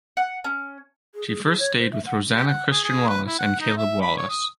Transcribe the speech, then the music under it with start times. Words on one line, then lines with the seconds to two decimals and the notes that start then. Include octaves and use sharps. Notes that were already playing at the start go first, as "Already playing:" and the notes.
She first stayed with Rosanna Christian Wallace and Caleb Wallace.
0.17 F#5
0.44 C#4
1.15 G#4
1.27 G#4
1.45 G#4
1.59 C#5
1.79 C5
1.92 E5
2.06 F#5
2.35 G4
2.47 F#5
2.70 G#4
2.84 G#4
3.08 B4
3.27 E4
3.39 F#5
3.60 D#4
3.77 E5
4.02 B5
4.17 C#5
4.30 D#6